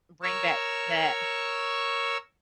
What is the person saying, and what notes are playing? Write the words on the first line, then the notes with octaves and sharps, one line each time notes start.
bring back that
A#4 C#5 C#6 E6